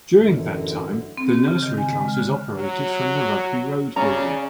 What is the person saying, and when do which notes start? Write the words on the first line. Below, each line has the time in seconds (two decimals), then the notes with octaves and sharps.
During that time the nursery classes operated from the Rugby Road building.
0.16 A1 F#2 D3
1.17 C4
1.34 G4
1.48 C#3
1.62 D#3
1.78 G#5
1.93 G#3
2.08 F6
2.19 D3
2.57 F#3
3.96 C#3 C#4 D5 A#5